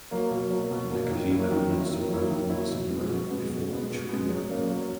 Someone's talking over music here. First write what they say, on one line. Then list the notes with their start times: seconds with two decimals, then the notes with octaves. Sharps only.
Nakajima begins to run whilst in the rain before tripping over.
0.11 F#3 A#3
0.31 B2
0.50 F#3 A#3
0.71 B2
0.91 F#3 A#3
1.11 D#3
1.30 F#3 A#3 E4
1.51 D#3
1.70 F#3 A#3 E4
1.90 D#3
2.10 F#3 A#3 E4
2.30 D#3
2.50 F#3 A#3 E4
2.70 B2
2.90 G#3 B3
3.09 B2
3.30 G#3 B3
3.50 B2
3.70 G#3 B3
3.90 B2
4.09 G#3 B3
4.29 F#3
4.49 A#3 C#4
4.69 F#3